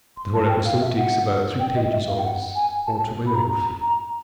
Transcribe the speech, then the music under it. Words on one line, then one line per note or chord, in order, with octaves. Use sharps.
The whole episode takes about three pages of his autobiography.
C6
A5
G5
F5
E5
F#5
G5
D#5
E5
F5
G5
F#5
G#5
A5
B5
A#5
A#5
A#5